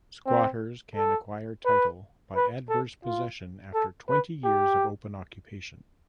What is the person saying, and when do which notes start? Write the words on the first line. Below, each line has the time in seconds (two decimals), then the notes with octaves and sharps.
Squatters can acquire title by adverse possession after twenty years of open occupation.
0.26 C4
0.95 A4
1.65 B4
2.36 B4
2.69 A4
3.05 F4
3.74 A4
4.09 B4
4.44 G4